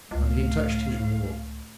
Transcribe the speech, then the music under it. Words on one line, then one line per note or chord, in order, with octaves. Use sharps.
And he touched his mule.
C#2 A2 F5